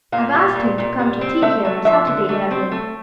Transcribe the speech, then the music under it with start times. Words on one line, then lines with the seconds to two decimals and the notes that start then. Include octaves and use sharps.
I've asked him to come to tea here on Saturday, Evelyn.
0.12 A#2 F5
0.34 G3
0.56 A#2
0.78 A#2
0.99 G3
1.21 C4
1.42 A3 E5
1.65 A3
1.85 F3 E5
2.07 D3
2.29 A3
2.51 C4
2.71 A3